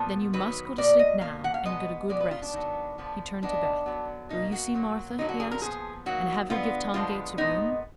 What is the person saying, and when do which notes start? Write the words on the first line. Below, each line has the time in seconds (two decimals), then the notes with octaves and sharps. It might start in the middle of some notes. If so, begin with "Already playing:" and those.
"Then you must go to sleep now, and get a good rest." He turned to Beth. "Will you see Martha," he asked, "and have her give Tom Gates a room?"
Already playing: A#2 F3 B3
0.33 D#3 F#3 B3 B4
0.78 B2 A#3 D5
0.99 D#5
1.21 B2 A#3 F5
1.44 F#5
1.54 F5
1.65 B2 G#3 B3 D#5
2.09 B2 G#3 B3 D5
2.20 B4
2.31 F4
2.42 D4
2.53 D#3 F#3 B3
2.98 D3 F3 B3
3.42 D#3 G#3 B3 D4
3.86 D3 F#3 B3
4.29 B2 A#3 D#4
4.52 F#4
4.74 A#2 F#3 A#3
5.18 D3 F#3 A#3 D#4
5.29 F#4
5.40 G#4
5.51 A#4
5.62 A#2 F3 B3 G#4
6.06 D#3 F#3 A#3 F#4
6.50 D3 G#3 B3 F4
6.94 D3 F3 G#3 B3 F4
7.38 A#2 G#3 B3 D#4